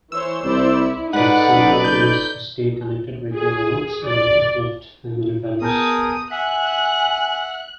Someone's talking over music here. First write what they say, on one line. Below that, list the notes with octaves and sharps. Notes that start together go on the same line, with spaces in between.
Its central theme is to stay connected with your roots and uplift family values.
E3 C5 C#5 E6
C2 E4 C5 D5
E4
G#2 D#4 A4 B4 D5 F#5
F#1
G6
G#4
D5
B3 G#4 A#4 A5 D#6 G6
E5 F#5 G#5 F#6 B6